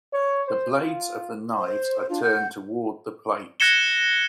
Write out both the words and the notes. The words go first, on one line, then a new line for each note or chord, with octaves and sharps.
The blades of the knives are turned toward the plate.
C#5
C5
F4
C5
D4 F4
F#5 G6
F#6 G#6 A#6 C#7 E7 G7